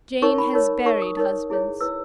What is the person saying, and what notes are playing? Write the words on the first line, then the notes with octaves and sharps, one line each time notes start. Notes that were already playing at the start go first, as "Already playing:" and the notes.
Jane has buried husbands.
D#4 A#4 C#5 C#6
B5
D#4 A#4 C#5
D#4 A#4 C#5 C#6
D#6
D#4 A#4 C#5
E4 G#4 C#5
E4 B4 E6